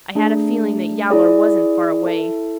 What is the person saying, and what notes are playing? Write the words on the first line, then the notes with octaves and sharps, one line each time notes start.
I had a feeling that Yowler wasn't far away.
A3 D4 G#4
E4 G#4 D5
E4 A4 E5 A5